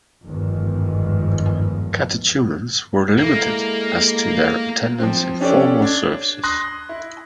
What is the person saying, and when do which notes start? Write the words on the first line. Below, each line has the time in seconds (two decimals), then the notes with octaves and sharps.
Catechumens were limited as to their attendance in formal services.
0.24 G1 E2 G#2 D#3 F3
3.18 G#3 A#3 E4 A4
5.00 F3 C4
5.41 C#4 D4 G4 A4 C#5 D5
5.82 D4 G#6
6.44 C6 D#6 F#6 A#6
6.89 E4